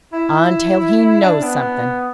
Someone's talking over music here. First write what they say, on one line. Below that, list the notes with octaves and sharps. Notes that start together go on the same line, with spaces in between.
"Until he KNOWS something!"
E4
D4
B3